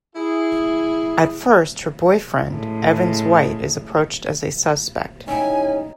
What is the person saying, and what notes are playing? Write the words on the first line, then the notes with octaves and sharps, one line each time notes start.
At first, her boyfriend, Evans White is approached as a suspect.
E4 G#4
A2 C#3 G#3
C#4 D#4 E4 G4 G#5